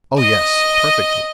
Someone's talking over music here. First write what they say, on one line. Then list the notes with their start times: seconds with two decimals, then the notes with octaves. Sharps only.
"Oh, yes--perfectly."
0.18 D#5